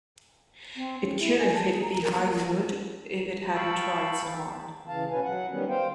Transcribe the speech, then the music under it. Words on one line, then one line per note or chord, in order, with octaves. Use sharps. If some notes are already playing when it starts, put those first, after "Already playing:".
It could have hit the high note - if it hadn't tried so hard.
C4
C#4
E4
G#5
A5
G#4
A#5
A#4
A#3
F5 G5 A5 B5 C#6 E6
C#3 E3 F5 A5
B2 C#4 B4 G#5
F#3 F#5
D#3 G3 B3 C#4
C5 F5 G5